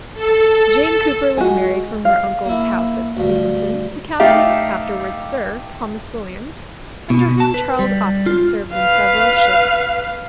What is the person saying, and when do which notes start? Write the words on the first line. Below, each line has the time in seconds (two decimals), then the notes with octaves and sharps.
Jane Cooper was married from her uncle's house at Steventon, to Captain, afterwards Sir Thomas Williams, under whom Charles Austen served in several ships.
0.13 A4
1.37 G#3 F#4 G#5
2.05 F5
2.45 A#3 E4
3.17 D2 G2
4.20 A3 D#4 G4 E5 F5
7.10 B2
7.40 A5
7.54 B4
7.79 G3
8.26 F4
8.74 B4 F5